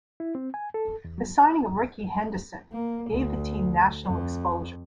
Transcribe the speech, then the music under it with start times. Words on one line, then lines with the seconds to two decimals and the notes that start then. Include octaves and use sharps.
The signing of Rickey Henderson gave the team national exposure.
0.20 E4
0.35 C4
0.54 G#5
0.74 A4
1.05 E2
1.18 F#3
2.72 A#3
3.10 D2
4.04 F2